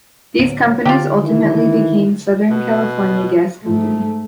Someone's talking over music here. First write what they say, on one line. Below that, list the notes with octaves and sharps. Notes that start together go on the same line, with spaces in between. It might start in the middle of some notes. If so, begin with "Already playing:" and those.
These companies ultimately became Southern California Gas Company.
D1 F#3 B3
D3 F4 G4
D#3 E3
B2
G#2 A3